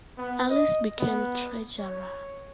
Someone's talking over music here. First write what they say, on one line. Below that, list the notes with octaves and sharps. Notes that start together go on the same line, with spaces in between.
Allis became Treasurer.
B3
D#5
B3
C#5